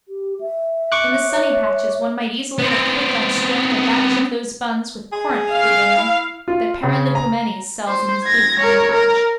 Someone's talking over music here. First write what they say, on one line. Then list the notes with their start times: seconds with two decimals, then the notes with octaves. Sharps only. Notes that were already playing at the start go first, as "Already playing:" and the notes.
In the sunny patches one might easily have cooked on a stone a batch of those buns with Corinth fruit in them that Periplipomenes sells in his booth near the bridge.
0.08 G4
0.40 E5
0.92 C#6 D6 F#6
1.29 C#5
2.59 B3 C4
5.12 G#4
5.52 F5
5.97 E4
6.48 F4
6.83 C#3
7.15 A#5
7.88 C5
8.24 G#6 A#6
8.60 A#4 C#5
8.91 A#4